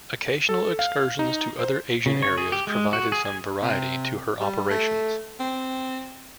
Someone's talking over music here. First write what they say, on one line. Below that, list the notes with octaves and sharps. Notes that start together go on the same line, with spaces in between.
Occasional excursions to other Asian areas provided some variety to her operations.
A4
F5
D#4
C5
C#3
C#5
G#4
G4
G#3
F#4
G#4
G#5
C3
G3
A3
C4